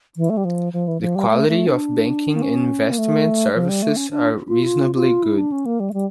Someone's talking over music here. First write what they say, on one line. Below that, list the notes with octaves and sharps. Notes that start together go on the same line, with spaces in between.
The quality of banking and investment services are reasonably good.
E3
A3
G3
F3
F3
E3
F3
G3
A3
A3
D4
A#3
C#4
A#3
A3
F3
G3
A3
C#4
D4
F4
E4
F4
F4
E4
D4
C#4
A#3
G3
A3
G3